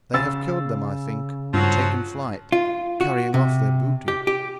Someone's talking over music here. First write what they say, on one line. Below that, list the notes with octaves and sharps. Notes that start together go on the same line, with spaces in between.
They have killed them, I think, and taken flight, carrying off their booty.
C#3 E6 A6
G2 F3 F#3 F#4
F4
F#4
C3
G4
G4